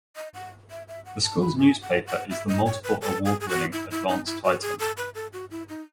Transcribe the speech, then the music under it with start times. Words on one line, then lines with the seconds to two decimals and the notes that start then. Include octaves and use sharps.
The school's newspaper is the multiple award winning "Advance-Titan".
0.16 D#5
0.34 F#5
0.71 E5
0.88 E5
1.06 F#5
1.24 A5
1.41 B5
1.59 G#5
1.82 F#5
2.07 F#5
2.30 E5
2.48 D#5
2.66 C#5
2.84 B4
3.02 A4
3.25 G#4
3.40 G#4
3.49 F#4
3.73 E4
3.91 E4
4.08 D#4
4.26 E4
4.44 F#4
4.62 G#4
4.79 A4
4.97 B4
5.15 A4
5.33 F#4
5.51 E4
5.69 D#4